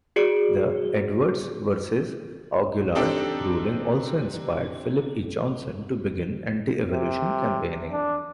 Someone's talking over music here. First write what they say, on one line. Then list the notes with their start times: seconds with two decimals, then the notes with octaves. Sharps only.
The "Edwards versus Aguillard" ruling also inspired Phillip E. Johnson to begin anti-evolution campaigning.
0.16 F#4 G#4 D5 D7
2.95 C4 D4 D#4 G4 A4 G5
6.92 C3
7.92 D4